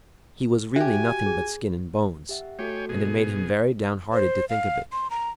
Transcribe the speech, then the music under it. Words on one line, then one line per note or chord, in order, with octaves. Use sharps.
He was really nothing but skin and bones, and it made him very downhearted to think of it.
F#4 G4 E5 G#5
G#4
G4 E5 F#5
A3 F#4 A4 C#5 G5 G#5
B2 G#4
C5
F5
C6
A#5